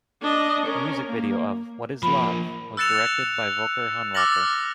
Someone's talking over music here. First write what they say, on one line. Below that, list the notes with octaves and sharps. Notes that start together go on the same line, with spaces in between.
The music video of "What Is Love" was directed by Volker Hannwacker.
D4 D#5
C#4 A#4
A#3
F3 A#3 B5
E6 F#6 A6 C#7 E7 F7
D6 E6 F6 A6 A#6 F#7